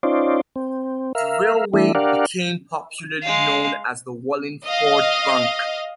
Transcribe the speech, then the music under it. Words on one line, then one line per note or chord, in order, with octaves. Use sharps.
The railway became popularly known as the "Wallingford Bunk".
C#4 D#4 F4 C5 D5
C4
A#4 E5 F5
E3 G3 A3 D4 E4
D4 G4 A#4 D5 F5 F#5
G#3 F5
D#5 F5